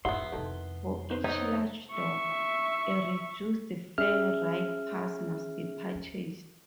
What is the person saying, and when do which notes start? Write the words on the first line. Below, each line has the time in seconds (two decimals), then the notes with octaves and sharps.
For each "large dog", a reduced fare ride-pass must be purchased.
0.05 F2 G#2 B3 E4 G#4 C#5 F#5 C6
0.32 F2 C3 D#3 A4
1.10 D#4 B4 C5
1.24 B3 C4 D#4 C#5 D#5 E5
1.92 E5 C#6
3.98 C#4 G#4 E5 F6